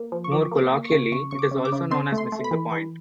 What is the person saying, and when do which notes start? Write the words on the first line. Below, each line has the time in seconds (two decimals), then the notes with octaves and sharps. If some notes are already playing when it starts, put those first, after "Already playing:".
More colloquially, it is also known as missing the point.
Already playing: A#3
0.12 F3
0.24 C#6
0.32 F3 D6
0.51 A#3
0.58 D6
0.72 A#3
0.85 C#6
0.92 C#3
1.12 C#3 C#6
1.31 C#3 C#6
1.39 D6
1.51 C#3
1.65 D6
1.72 C#3
1.91 C4 C6
2.12 A3
2.18 C6
2.32 A3
2.44 B5
2.51 E3
2.71 E3